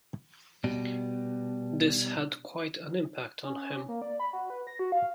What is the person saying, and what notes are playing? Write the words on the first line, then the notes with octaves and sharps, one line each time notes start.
This had quite an impact on him.
B2 G3
C#4
C#4
A#3
D5
B5
F#4
B4
A#6
F#4
F5